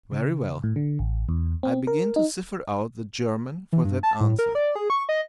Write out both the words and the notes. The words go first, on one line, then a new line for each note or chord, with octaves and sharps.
Very well, I begin to cipher out the German for that answer.
C#3
A2
D3
A1
E2
C4
A#4
D#4
E3
G2
A5
A2
A#4
D5
G#4
C#6
D#5